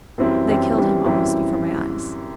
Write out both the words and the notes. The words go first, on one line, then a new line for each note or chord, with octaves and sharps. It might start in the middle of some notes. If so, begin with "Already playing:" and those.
"They killed him almost before my eyes."
F#2 E3 G3 C4 E4
F#2 E3 G3 C4 E4
F#2 E3 G3 C4 E4
F#2 E3 G3 C4 E4